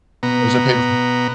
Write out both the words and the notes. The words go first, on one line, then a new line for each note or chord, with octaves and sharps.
Or is it pay-per-view?
B2 B3 A#5